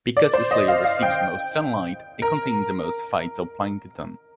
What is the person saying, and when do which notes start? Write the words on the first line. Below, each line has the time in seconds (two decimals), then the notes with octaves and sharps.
Because this layer receives the most sunlight it contains the most phytoplankton.
0.17 D5
0.34 C5
0.51 D#5
0.68 F5
0.84 F5
1.02 G5
2.22 A#4